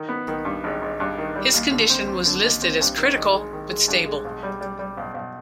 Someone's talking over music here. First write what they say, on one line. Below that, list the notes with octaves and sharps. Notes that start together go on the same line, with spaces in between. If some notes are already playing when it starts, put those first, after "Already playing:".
His condition was listed as critical but stable.
Already playing: D#3
B3
D#3
G2
G#1
G#1
G2
D#3
G3
D#2
D3
C4
C4
D3
D#2
C4
G2
D#3
G#1
G#3
D#3
G#3
G2
G#3
B1
G3
G3
G3
B1
B1